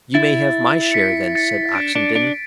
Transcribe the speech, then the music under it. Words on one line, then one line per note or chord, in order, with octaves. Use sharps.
"You may have my share, then," said Oxenden.
E4 A6
C#7
B6
A6 C#7
D4 B6 D7
D4
D4